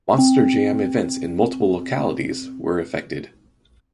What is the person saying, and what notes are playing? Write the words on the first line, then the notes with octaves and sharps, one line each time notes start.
Monster Jam events in multiple localities were affected.
C4